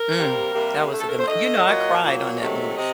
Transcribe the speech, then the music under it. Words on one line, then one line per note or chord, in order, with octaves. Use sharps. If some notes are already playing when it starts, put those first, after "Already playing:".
Mm, that was a good mo you know, I cried on that movie,
Already playing: A#4
C3 G3 A#3
C3 G3 A#3
D3 A3
A4
A#4
C5
D3 A3 D#5
A#2 F#3 A#3
A#2 F#3 A#3
C3 D#3 F#3 A3
C3 D#5